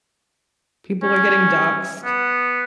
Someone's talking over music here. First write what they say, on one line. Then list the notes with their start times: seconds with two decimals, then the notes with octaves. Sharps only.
People are getting doxxed.
1.02 C#4
2.04 B3